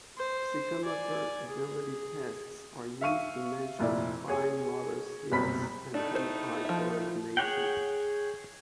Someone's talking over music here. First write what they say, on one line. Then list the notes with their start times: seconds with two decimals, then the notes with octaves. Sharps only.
Psychomotor-ability tests are used to measure fine motor skills and hand-eye coordination.
0.17 C5
0.85 D5 G#5
1.47 G#4
3.01 E5 F5 C#6 D#7
3.79 F1 A#2 E4 D5
4.28 G#4 C#5 G#5
5.32 F#1 C2 B2 C4 B5 B6
5.94 A2 A3 D4 D#4
6.15 C5
6.65 F3 E5
7.37 G#4 C#5 F#5 G5